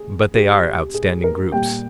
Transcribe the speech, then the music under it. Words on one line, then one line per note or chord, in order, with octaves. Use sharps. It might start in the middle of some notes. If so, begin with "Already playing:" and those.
But they are outstanding groups.
Already playing: G#4
G4
G#4
A#4
A#2 G3 G5